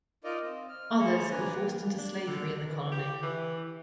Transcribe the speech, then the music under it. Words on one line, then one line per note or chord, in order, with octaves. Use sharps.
Others were forced into slavery in the colony.
D#4 F4 A#4 D5 D#5
C4
F6
G#4 C5 C#5 A#5 B5
D4 B4 G#5 A#5
A#3
D4
D3
E3
G4
E3